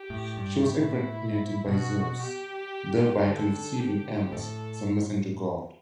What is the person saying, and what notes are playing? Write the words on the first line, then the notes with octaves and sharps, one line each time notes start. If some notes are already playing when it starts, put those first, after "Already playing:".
She was impregnated by Zeus, thereby conceiving Hermes, the messenger god.
Already playing: G4
A2
G2
A2 E4
B2 F#4
G4
D3 A4
G4
A2 A4